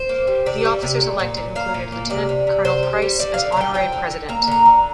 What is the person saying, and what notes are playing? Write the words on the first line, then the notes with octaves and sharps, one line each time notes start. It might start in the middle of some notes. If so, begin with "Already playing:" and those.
The officers elected included Lieutenant-Colonel Price as honorary president.
Already playing: C5
A#3
G3
C3 D5
G3
C3
A#2
A#2
A#2
A#3 F5
A#2
A#3
C3 D5
C3
C3
C3 C5
G3
G3
D3 D5
D3 F5
A#5
D3 G5
F3 G5
D3
D3
A#3 A#5
D3 A#5
D3